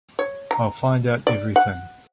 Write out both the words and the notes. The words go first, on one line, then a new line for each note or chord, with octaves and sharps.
I'll find out everything.
C#5
A#5
D5
F#5